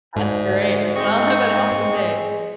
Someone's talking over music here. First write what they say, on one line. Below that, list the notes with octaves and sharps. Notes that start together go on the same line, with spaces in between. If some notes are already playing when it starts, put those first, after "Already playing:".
That's great. Well, have an awesome day.
D2 G#2
C4 D#5 C#6
G#3